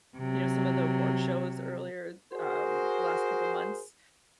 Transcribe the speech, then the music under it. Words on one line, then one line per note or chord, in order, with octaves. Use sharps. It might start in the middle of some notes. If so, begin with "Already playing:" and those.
you know, some of the award shows earlier, um, the last couple months,
C3 F#3
F#4 G#4 A#4 C5